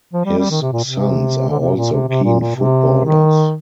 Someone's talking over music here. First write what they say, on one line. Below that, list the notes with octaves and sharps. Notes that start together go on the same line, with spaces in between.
His sons are also keen footballers.
F3
G3
G3
D#3
C3
A#2
C3
D3
C3
A#2
C3
C3
A#2
A#2
C3
D#3